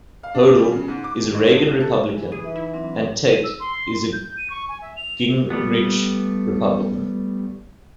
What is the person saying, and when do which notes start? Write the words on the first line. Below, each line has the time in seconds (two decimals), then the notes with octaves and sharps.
Hodel is a Reagan Republican and Tate is a Gingrich Republican.
0.23 F5
0.35 D4
0.47 D6
0.59 G3
0.72 C#3
0.88 G#2
1.04 D6
1.21 D#3
1.35 G#3
1.54 B1
1.68 F#6
1.80 A4
2.17 E3
2.32 G#4 D#6 D#7
2.44 D#4 E5
2.56 E4
2.73 F#3 C4 D4
3.28 D#7
3.44 E6
3.60 C6
4.13 G6
4.37 D#7
4.50 C#6
4.69 G#5
4.82 E5
4.97 F7
5.50 G3 A3 B3